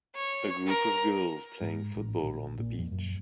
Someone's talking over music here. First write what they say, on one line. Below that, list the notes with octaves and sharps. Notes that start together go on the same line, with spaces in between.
A group of girls playing football on the beach.
C#5
A#4
G#2
A1
A#1
A#2
F2
F#2